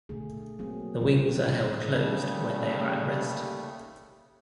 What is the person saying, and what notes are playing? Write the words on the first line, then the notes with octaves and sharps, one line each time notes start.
The wings are held closed when they are at rest.
B2 D3 A3 G#4
F#3 A#3 C4 G#4
F3 G3 C4 F#4 A4
C3
D#2 C#3 G3 A3